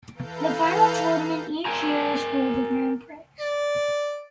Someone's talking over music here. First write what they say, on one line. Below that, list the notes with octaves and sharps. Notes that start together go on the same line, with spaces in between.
The final tournament each year is called the "Grand Prix".
E3 A4 B4 F5 A#5 G6
A#4 G5 G#5 A#5
D5